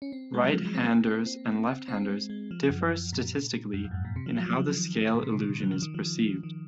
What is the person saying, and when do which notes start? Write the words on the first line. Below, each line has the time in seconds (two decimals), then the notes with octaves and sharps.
Right-handers and left-handers differ statistically in how the scale illusion is perceived.
0.02 C#4
0.12 C4
0.34 G#3
0.44 F#3
0.53 F3
0.65 G#3
0.75 C4
0.85 A#3
1.06 C4
1.26 C4
1.47 A#3
1.67 C4
1.88 C4
2.09 G#3
2.30 G#3
2.51 F3
2.70 F#2
3.13 A#2
3.74 F#2
3.85 F2
3.91 G#2
3.94 F#2
4.05 A#2
4.16 C3
4.26 F3
4.36 F#3
4.46 F3
4.57 F3
4.77 D#3
5.15 A#2
5.23 C3
5.32 C#3
5.39 D#3
5.60 F#3
5.72 F3
5.82 D#3
5.94 F3
6.22 F3
6.43 D#3